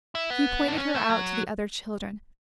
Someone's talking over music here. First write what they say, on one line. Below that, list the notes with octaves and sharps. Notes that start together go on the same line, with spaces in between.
He pointed her out to the other children.
E4
B3
D4
C#4
A3
F#3